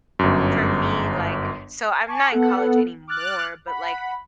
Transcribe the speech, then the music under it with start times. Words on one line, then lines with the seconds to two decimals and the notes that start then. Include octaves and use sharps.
for me, like so, I'm not in college anymore, but, like,
0.19 G1 F#2
2.06 G#5 A5 C#6 D6
2.30 B3 A4 F#5
3.08 D6 F6 F#6 A6
3.67 F#5 B5